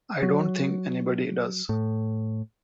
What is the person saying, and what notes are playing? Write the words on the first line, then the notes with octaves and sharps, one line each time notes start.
I don't think anybody does.
F#3
A2